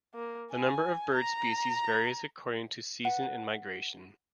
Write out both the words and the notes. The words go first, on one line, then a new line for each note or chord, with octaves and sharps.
The number of bird species varies according to season and migration.
A#3
G#5
A#5
B4 F#5